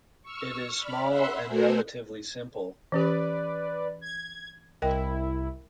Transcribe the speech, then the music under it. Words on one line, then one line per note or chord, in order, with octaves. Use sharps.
It is small and relatively simple.
C#6 E6 F6
D5 B5 F6
E5 F#5 B5 C6 E6
A3 F#4 A4 A#4 C5 G#5
E3 C#4 G4 B4 D5
G#6
C2 E4 A#4 D#5 G5